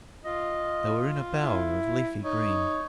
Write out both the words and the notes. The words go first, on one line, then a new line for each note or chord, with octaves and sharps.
They were in a bower of leafy green.
F4 D#5
E4
D#4 C#5